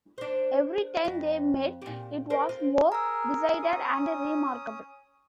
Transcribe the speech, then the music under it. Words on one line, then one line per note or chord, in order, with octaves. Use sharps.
Every time they met, it was more decided and remarkable.
D4 C5
F2
A#2 G4
A#4 C5
C4 F4
G#4 A#4 A#5 E6
C#4 D#6